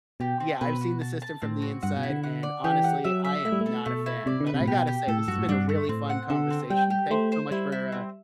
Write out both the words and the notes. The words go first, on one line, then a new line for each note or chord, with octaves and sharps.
Yeah, I've seen the system from the inside, and honestly, I am not a fan, but I gotta say this has been a really fun conversation. Thanks so much for, uh
B2 G4
C4
B2 B4
F#4
A5
A5
A2 C4
F#4
G2 F#5
B2
E4
D3
F#5
D5
E3 G4
F#5
F#3 E5
E5
A3 E4
G3
A3 A4
B2 A3
E4
C3 D5
D3
B4
C3
A2
B2 G4
G4
A2 A4
G2 F#4
A2
G2 D4
A3
A2 C4
F#5
D3 A4
C4
G3 G5
G4
A3 C5
C5
G3 E4
E4
C4